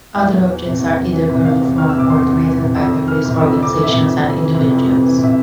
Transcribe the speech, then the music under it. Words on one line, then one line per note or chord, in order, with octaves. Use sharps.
Other objects are either borrowed from or donated by various organizations and individuals.
E2 E5
E2
E3
C3
E2
E2
E3
C3
E2 F5
E2
E3 F6
E6
C3 D6
E2 C6
E2
E3
C3
F2 E6
F2
E3 F6
C3
F2 E6
F2
D6
E3
E5
C3
F2
F2
E3
C3
F2
F2
E3
C3
E5